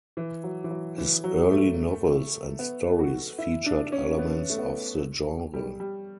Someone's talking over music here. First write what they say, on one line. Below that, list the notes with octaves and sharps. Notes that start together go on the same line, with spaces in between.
His early novels and stories featured elements of the genre.
E3
F#3
E3
F#3
E3
F#3
A3
B3
F#4
E4
D4
C#4
B3
A3
B3
G3
G3